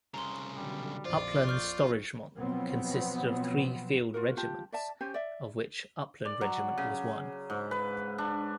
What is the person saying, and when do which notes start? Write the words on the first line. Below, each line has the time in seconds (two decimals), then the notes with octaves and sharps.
Upplands storregemente consisted of three field regiments, of which Uppland Regiment was one.
0.14 C2 C#3 A#5 C6
0.56 B2 D3 F#3 G3
1.05 A#1 F2 F4 C5 D5
1.47 C#6 F6 G6
2.36 B2 F3 F#3 B3 C4
4.14 F4 F#4 A#4
4.37 F4 G4 A5
4.72 D5 E5 A5
5.01 C#4 G4 C5 G#5
5.14 D5 E5
6.25 D5
6.41 F#3
6.78 C#3
7.50 G#2
7.71 B4
8.18 D4